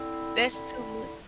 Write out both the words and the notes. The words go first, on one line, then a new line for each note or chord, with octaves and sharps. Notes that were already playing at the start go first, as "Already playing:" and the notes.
That's too much
Already playing: D3 C4 E4
D3 C4 E4